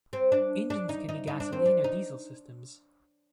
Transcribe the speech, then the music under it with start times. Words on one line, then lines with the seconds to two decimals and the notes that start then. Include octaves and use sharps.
Engines can be gasoline or diesel systems.
0.13 C4
0.32 D4
0.70 D4
0.89 D#4
1.09 D#4
1.27 D#4
1.40 D4
1.53 C4
1.66 D4
1.84 D#4